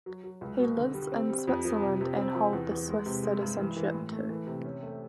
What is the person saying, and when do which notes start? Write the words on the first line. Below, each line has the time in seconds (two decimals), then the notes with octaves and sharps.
He lives in Switzerland and hold the Swiss citizenship, too.
0.06 F#3
0.24 F#3
0.41 C#2
0.59 B2
0.77 D3
0.94 G3
1.12 C4
1.30 G3
1.47 F2
1.65 F3
1.82 C3
2.01 C3
2.18 C4
2.35 F3
2.53 E2
2.71 E2
2.88 G#3
3.06 C3
3.23 G#3
3.41 G2
3.59 E3
3.76 E3
3.94 A2
4.12 A3
4.29 E3
4.47 C3
4.65 C#4
4.83 A3